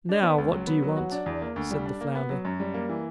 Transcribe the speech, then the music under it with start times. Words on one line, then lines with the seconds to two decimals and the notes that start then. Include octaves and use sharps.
"Now, what do you want?" said the flounder.
0.09 D4
0.23 B3
0.38 C#2
0.52 F#3
0.67 B3
0.83 F#3
0.97 F#4
1.11 D4
1.26 E2
1.41 A#3
1.56 D2
1.71 G3
1.86 D4
2.01 A#3
2.15 B3
2.30 F#3
2.45 F#2
2.60 G3
2.74 A#3
2.89 E3